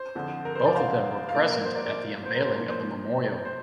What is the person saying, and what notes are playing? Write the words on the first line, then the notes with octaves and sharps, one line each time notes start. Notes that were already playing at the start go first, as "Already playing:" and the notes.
Both of them were present at the unveiling of the memorial.
Already playing: C5
F2 D3 F3
A#4
C5
A#4 D5
C5 F5
F5
A#2 F3 A#4 D5
A#4
C5
A#4 D5
A#4 D5
C5
A#4
C5
A#2 F3 A#4
C5
C5